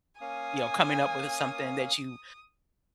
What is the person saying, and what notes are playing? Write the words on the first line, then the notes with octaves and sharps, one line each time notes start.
you know, coming up with, uh, something that you,
A#3 C#4 F5 G#5 D#6